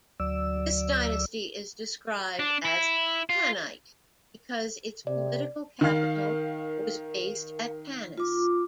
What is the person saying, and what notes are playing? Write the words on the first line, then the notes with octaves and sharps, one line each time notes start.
This dynasty is described as 'Tanite' because its political capital was based at Tanis.
D2 F#3 D5 E6
D4
E4
F4
C3 D5
D#3 A#4 F5
F4 D6